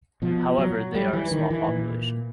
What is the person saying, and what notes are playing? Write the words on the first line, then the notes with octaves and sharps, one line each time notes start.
However, they are a small population.
B2 F3
F#3
G3
E3
D#3
E3
A#2